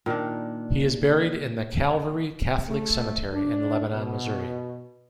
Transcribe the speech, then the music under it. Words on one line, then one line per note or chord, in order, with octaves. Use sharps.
He is buried in the Calvary Catholic Cemetery in Lebanon, Missouri.
A#2 D#3 A#3 D4
A3
D4
B2